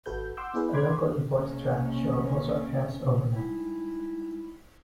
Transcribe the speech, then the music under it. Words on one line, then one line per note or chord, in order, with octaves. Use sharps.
A locally voicetracked show also airs overnight.
G#1 F#4 A4 B4 G6
F#5 C6 D6 E6 G6
B3 E4 G#4 B4
B5 C6 D6 G#6
B1 C3 G#3 A#3 C#4
G3 G#3 D#4 E4